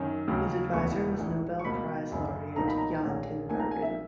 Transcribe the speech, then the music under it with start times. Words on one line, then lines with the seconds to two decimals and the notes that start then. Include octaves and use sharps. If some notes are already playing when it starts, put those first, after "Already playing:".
His advisor was Nobel Prize laureate Jan Tinbergen.
Already playing: F#2 D#3 C#4
0.28 D#2 C#3 F#3
0.73 E1 D#2 C#3 E3 B3 C#6
1.18 A#1 G#2 E3
1.59 C#6
1.65 C#2 B2 A#3 B5
2.11 F#1 F#2 C#3
2.56 B1 A#2 A#3 D#4 A#5
2.68 B5
2.78 A#5
3.03 A#1 A#2 A#3 C#4
3.48 A#1 A#2 A#3 D#4 G#5
3.60 A#5
3.71 G#5
3.82 E5